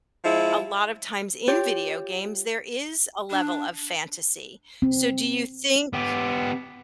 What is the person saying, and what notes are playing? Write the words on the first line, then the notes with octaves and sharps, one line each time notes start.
a lot of times in video games, there is a level of fantasy, so do you think
F3 G#3 E4
F4 G4 C#5
D4
C4
B3 G4